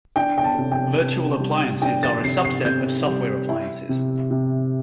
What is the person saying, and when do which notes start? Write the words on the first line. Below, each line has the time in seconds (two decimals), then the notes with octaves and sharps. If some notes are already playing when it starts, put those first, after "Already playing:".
Virtual appliances are a subset of software appliances.
0.16 D4 G5
0.38 G5
0.44 A5
0.58 C3
0.72 G5
1.00 C3
1.40 G3
1.82 D4 G5
2.03 A6
2.24 C3 C7
2.45 C7
2.65 C3 G6
3.07 G3
3.49 E4
3.89 C3
4.31 C3